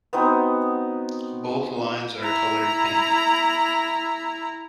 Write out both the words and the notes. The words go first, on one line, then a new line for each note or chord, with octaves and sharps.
Both lines are colored pink.
B3 C4 D#4 F#4
E4 A#5